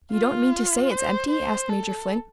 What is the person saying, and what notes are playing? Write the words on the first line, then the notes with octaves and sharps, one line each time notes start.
"You don't mean to say it's empty?" asked Major Flint.
F4
C5
C5
A4